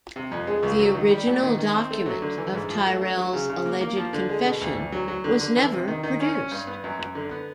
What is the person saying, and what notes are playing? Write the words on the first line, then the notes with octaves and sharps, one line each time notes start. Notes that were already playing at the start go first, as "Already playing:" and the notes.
The original document of Tyrrell's alleged confession was never produced.
C3
F2
G#3
C#2
F#3
D#3
G3
A#2
D#3
D#3
C4
A3
F#3
D3
E3
G#2
F3
A3
F#3
F#3
C#3
C#3
A#3
A#3
F3
D3
G#3
B2
D2
D2
F#3
F#3
D3
D3
E3
C3
D#3
D#3
C#4
C#4
G2
B3
F#2
F#2
D3
B3